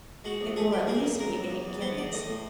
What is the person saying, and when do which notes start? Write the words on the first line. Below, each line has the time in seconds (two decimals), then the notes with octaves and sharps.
It will at least be eight guineas.
0.24 G#3 F#4
0.41 A#1
0.56 A3 G#4
0.71 D2 G4
0.87 A#3 G#4
1.04 B1
1.19 C#2 A#4
1.35 C#2
1.51 E2
1.66 E2
1.81 B3 C5
1.97 E2 D5
2.13 A2 D#5
2.29 A2